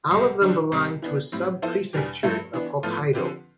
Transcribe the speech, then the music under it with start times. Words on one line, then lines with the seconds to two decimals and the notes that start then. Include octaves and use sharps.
All of them belong to a subprefecture of Hokkaido.
0.11 C2 C3 G3
0.42 D3 G3 D4 G4 C5
0.72 C2 C3 G3 C4 G4
1.02 E3 B3 D4
1.32 A2 G3 C4
1.62 F3 B3 E4 A4 C5
1.93 E2 B2 G3 D4 G4
2.23 G2 F3 A3 E4
2.53 E3 B3 D4
2.83 A2 F3 B3 F4 A4
3.13 D3 F3 C4 G4 B4